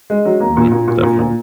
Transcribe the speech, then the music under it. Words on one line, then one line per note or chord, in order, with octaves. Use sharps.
Mhm. Definitely.
G#3
F#3
A#3
A#2
A#2
A#2
A#2
A#2